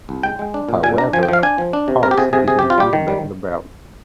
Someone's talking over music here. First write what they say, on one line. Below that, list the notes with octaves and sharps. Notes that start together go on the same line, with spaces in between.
However, Hawx didn't give back the belt.
C2
G#3 G5
G#3
D4
A#2
A#2 G#5
D4 A#5
F3 G#5
G5
F3 F5
D4 G#5
F3
D4
C3
C3 A#4
G4
C3 G#4
C3 G#4
C3 G#4
C3 G4
F4
G3 G4
D#3
G3